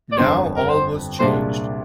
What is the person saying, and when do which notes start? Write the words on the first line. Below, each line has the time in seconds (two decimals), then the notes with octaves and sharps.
Now all was changed.
0.12 D5
0.18 G1 F2 D3 C5
0.57 A#4
0.69 C5
1.19 C2 A#2 G#3 D4 G4 C5